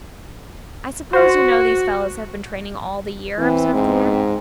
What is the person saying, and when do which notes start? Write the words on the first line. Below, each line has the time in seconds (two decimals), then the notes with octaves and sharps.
"I suppose you know these fellows have been training all the year?" observed the man.
1.13 F#4 C5
3.38 E3 C4
3.73 G#2